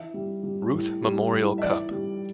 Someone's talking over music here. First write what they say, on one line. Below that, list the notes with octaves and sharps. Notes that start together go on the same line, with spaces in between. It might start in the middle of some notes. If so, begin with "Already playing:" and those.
Ruth Memorial Cup.
Already playing: E3 E5
G3
G3
A2
G3
A2
E5
E3 D5
G3